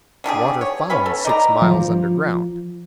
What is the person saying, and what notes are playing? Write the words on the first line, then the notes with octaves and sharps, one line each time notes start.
Water found six miles under ground.
D3 D4 G4 G#4
C#5
B3 C#4 B5
A4
D#4 D5 A#5
F3